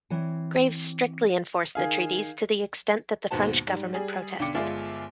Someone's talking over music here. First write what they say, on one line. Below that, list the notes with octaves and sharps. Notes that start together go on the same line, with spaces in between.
Graves strictly enforced the treaties to the extent that the French government protested.
E3 C4 C#5 G#5
D#3 G#4 F5
D#2 G#2 B2 F#4 C5 A5
G#2 G3
G3 G#4
B1 D3 G5 D6 C#7
G1 G#3 F4 D5 E5 G#5